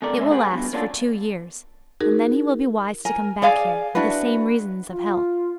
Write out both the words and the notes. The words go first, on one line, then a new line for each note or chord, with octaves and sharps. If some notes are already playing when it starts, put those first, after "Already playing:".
It will last for two years, and then he will be wise to come back here for the same reasons of health.
E2 C3 A4 A#4 D5
C#3 G#3 C#4 D#5 E5
G4 G#4 B4 F#5
G2 B2
A#3 C#4 D4 F4 F#4 A4
D#4 F#4 G#4 A#4
A#4 G#5
G#4 D5 F5 G#5
D4 E4 F#4 B4
F4